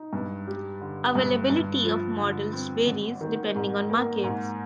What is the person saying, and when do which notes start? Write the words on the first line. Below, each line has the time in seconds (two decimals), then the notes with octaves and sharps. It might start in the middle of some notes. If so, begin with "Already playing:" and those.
Availability of models varies depending on markets.
Already playing: D#4
0.13 G2
0.47 G3
0.81 D3
1.15 G2
1.50 G2
1.84 F3
2.18 D3
2.53 C4
2.87 G#1
3.21 D#3
3.56 G#2
3.90 A#3
4.23 G#2